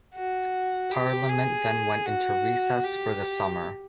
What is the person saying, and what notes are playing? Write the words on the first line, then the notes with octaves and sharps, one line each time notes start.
Parliament then went into recess for the summer.
F#4
G4
G#4
F#4
G4